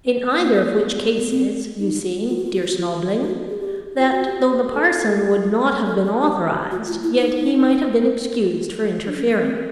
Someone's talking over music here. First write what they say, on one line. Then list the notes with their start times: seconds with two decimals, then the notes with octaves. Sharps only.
In either of which cases, you see, dear Snobling, that though the parson would not have been authorised, yet he might have been excused for interfering.
0.32 B3
0.42 A#3
0.52 B3
1.19 B3
1.30 C4
1.79 D#4
2.29 F4
2.37 F#4
2.46 F4
2.54 F#4
2.62 F4
2.70 F#4
2.78 F4
3.23 G4
3.27 F#4
3.49 G#4
3.59 G4
3.98 F4
4.12 F#4
4.25 G4
4.73 A4
5.88 A4
6.05 G#4
6.22 G4
6.71 F#4
6.87 F4
7.03 E4
7.20 D#4
9.06 D4
9.16 C#4
9.31 B3
9.40 C4